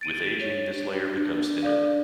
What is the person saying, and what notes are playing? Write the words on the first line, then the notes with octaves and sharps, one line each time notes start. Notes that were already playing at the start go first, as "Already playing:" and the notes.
With ageing, this layer becomes thinner.
A6 D7 D#7
C#5
D4
A4 D5 F5